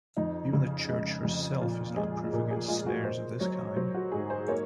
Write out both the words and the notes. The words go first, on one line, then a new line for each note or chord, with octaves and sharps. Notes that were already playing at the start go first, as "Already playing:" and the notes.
Even the Church herself is not proof against snares of this kind.
F2 D#4
C#3
G#3
F2
A#2 F4
G#3 G#4
A#2 A#4
G#4
G#3 F4
F#4
A#3 C5
F#3 C#5
F#3 C5
F#4
G#2 G#4
C5
A#3 C#5